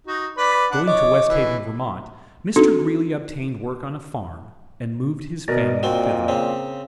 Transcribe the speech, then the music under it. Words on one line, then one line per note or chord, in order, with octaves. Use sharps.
Going to Westhaven, Vt., Mr. Greeley obtained work on a farm, and moved his family thither.
D#4 F#4
B4 D5 B5
D4 F#5
C#5 D#5 D6
E3
C4 D4 D#4 F#4 A4
B2 A#4 D5 D#5
A#2 C4 F#4 G7
C#3 C4